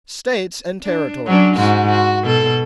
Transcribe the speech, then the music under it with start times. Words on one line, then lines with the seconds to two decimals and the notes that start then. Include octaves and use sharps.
States and Territories.
0.83 D4
1.26 F#3 C#4 D4
1.57 G#2 F#4
1.90 F#4
2.24 B2 A4